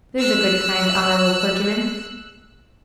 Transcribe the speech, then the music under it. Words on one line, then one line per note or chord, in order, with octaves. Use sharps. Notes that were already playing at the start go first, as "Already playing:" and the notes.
There's a good, kind, honourable clergyman.'
E6 F#6